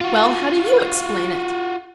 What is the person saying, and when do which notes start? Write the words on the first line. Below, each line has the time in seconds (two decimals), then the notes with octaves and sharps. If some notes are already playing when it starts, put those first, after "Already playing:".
"Well, how do YOU explain it?"
0.01 F4 F#4